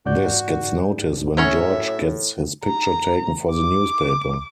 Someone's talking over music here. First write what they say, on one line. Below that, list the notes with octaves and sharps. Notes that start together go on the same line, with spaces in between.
This gets noticed when George gets his picture taken for the newspaper.
G#2 F#4 D5 G6
A2 F#3 C#4 C#5 E5
A#5
D6